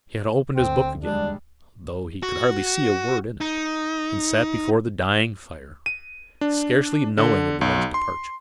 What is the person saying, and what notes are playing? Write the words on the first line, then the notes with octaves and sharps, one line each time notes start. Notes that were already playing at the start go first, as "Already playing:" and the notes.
He had opened his book again, though he could hardly see a word in it, and sat before the dying fire, scarcely knowing of the men's departure.
D2 C4
G3 G#3 D4
F#4
D#4
D#7
D4
D3
B1
C6